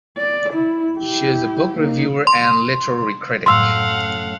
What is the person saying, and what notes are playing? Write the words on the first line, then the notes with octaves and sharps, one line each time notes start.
She is a book reviewer and literary critic.
D5
E4
E4 G4
A#3 D#4
C6
F#2 A2 F5 F#5 C6 E6